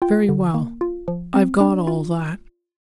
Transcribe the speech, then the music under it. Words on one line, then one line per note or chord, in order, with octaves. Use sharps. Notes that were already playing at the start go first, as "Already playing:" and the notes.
Very well--I've got all that.
F4 G5
D3
A#3
F4
F3
C4
D4 D5
F4